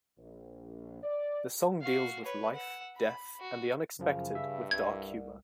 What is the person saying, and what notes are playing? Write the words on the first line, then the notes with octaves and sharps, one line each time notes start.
The song deals with life, death and the unexpected with dark humor.
A#1
D5
F#4 F5
B4 C#5
F#5 E6
B5
F#4
F#2 C#3 F3
G2 E5
C2 G#6